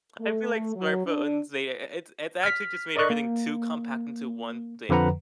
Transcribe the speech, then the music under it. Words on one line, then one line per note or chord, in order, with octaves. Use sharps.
I feel like smartphones, they, uh i it's it's actually just made everything too compact into one thing.
A3
F#3
D4
F6 B6
A#4 D5 D#5 C#6 F#6
A#3
F2 D3 F3 B4 F#5 A#5